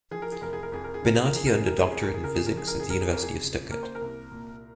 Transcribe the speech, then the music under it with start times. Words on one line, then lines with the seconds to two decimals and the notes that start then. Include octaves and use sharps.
Bennati earned her doctorate in physics at the University of Stuttgart.
0.11 F3 G#4
0.22 A#4
0.32 G#4
0.41 F1 A#4
0.53 G#4
0.63 A#4
0.72 F2 G#4
0.84 A#4
0.94 G#4
1.02 C#3 A#4
1.15 G#4
1.26 A#4
1.32 F3 G#4
1.46 A#4
1.56 G#4
1.62 F1
1.67 A#4
1.77 G#4
1.91 F2 G#4
2.02 A#4
2.14 G#4
2.22 C#3 A#4
2.35 G#4
2.46 F3 A#4
2.57 G#4
2.67 A#4
2.80 F1 G#4
2.90 A#4
3.01 G#4
3.11 F2 A#4
3.22 G#4
3.41 C#3
3.70 A#3 A#4
3.83 C5
3.95 A#4
4.01 C2
4.32 A#2